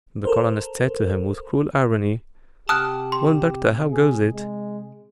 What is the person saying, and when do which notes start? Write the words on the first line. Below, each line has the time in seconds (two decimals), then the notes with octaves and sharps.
The colonist said to him, with cruel irony, 'Well, doctor, how goes it?
0.25 A4 A#4 C5
2.69 C3 G4 F#5 A5 D#6 F6 F#6
3.12 C6
3.92 G#4
4.34 G#3